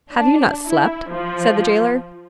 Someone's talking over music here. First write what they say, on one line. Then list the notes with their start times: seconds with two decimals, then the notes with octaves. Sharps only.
"Have you not slept?" said the jailer.
0.12 D4
0.68 E4
1.12 F3